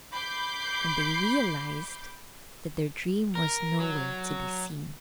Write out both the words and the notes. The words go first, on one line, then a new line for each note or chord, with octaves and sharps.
And they realized that their dream was nowhere to be seen.
B5 D6 G6 C7
A#4
F#3